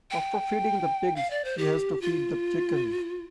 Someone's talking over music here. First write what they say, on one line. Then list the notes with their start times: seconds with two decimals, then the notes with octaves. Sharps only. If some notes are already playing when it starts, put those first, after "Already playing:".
After feeding the pigs, she has to feed the chickens.
0.11 G5
1.16 F5
1.30 D5
1.45 C5
1.58 G4
2.01 F4